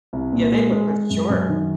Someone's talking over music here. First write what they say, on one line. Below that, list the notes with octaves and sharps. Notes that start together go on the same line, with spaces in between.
Yeah. They would, for sure.
C2
A#2
G#3
G#3
G#3
F#2
F#2
D#3